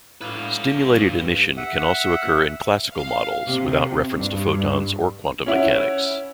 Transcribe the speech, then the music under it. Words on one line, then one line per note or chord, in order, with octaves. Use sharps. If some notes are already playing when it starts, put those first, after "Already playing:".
Stimulated emission can also occur in classical models, without reference to photons or quantum-mechanics.
A2 A#3 B3 B4 F5
G2
E5 F#5
F5
C3
G2
C#4 E4 F#5